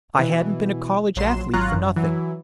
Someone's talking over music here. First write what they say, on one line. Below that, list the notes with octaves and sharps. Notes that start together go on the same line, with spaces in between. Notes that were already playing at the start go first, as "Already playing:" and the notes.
I hadn't been a college athlete for nothing.
B2 E3
A#1 F#3 C6 E7
G#1 F#3 F4 C#5 A#5 F#6
F#2
E3 F#3